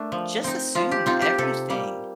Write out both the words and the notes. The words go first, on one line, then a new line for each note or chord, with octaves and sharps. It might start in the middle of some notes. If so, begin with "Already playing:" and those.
just, assume everything
Already playing: A3 D4 A#4
F3
C4 D#4
F3 F4
G4
C4 D#4 F4
G4
C3 A4
G3 A#3